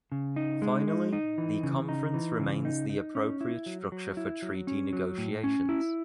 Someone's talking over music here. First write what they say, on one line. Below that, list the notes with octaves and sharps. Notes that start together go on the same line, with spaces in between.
Finally, the Conference remains the appropriate structure for treaty negotiations.
C#3
D#4
G#3
D#4
D#4
E3
C#3
D#4
E3
C#3
D#4
D#4
C#4
E4
F#3
F#3
E4
F#3
C#4
F#3
A2
C#4
E4